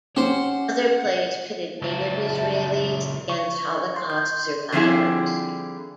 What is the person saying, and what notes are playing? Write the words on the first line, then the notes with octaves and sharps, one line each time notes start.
Other plays pitted native Israelis against Holocaust survivors.
C#4 G4 C5 F#5
C#2 F#3 E5 A5
C#6
C6
G6
D3 F3 G3 C4 E4 G#4